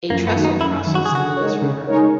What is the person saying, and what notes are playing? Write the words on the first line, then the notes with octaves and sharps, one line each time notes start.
A trestle crosses the Lewis River.
F#2 A#3
B3
D#3 F#3
D#4
F#2 E4
D#3 F#3
F#4
G#4
C#3 F#4
G#3 D#4 A#4 C#5
C#3
G#3 D#4 A#4 C#5